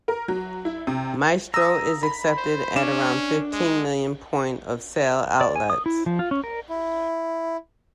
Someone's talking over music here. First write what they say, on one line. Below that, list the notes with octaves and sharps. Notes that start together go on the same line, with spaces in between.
Maestro is accepted at around fifteen million point of sale outlets.
A#4
F#3
E4
C3
A#5 D#6 E6
B5
C5
C#4 D4 E7
G#3
D5
G#5
D#6
E4
F3
F4
C#4
A#4
E4